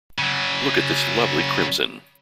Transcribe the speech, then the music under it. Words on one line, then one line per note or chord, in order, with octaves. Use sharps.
Look at this lovely crimson!
C#3 F#3